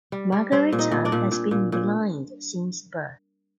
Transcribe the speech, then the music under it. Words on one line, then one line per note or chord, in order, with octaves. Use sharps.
Margarita has been blind since birth.
G3
G3
G3 C4 C5
A#2
D#4 D#5
A#2
D4 D5
A#2
A#2
A#2
A#2